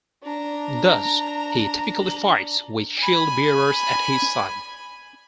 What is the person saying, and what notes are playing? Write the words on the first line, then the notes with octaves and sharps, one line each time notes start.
Thus, he typically fights with shield bearers at his side.
D4 A#5
G#5 B5